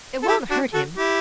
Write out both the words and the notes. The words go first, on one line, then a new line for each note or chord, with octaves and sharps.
"It won't hurt him."
A4
E4 G4
D4 F#4
F#4 A4
E4 G4